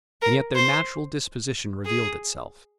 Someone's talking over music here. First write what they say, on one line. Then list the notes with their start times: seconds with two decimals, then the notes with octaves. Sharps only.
And yet their natural disposition revealed itself.
0.22 A#4
0.55 C5
1.86 G#4